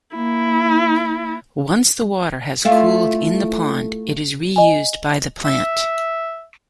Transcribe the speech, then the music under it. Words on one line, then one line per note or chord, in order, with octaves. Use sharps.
Once the water has cooled in the pond, it is reused by the plant.
A#3 E4
A3 E4 F4
D#5 G#5
E5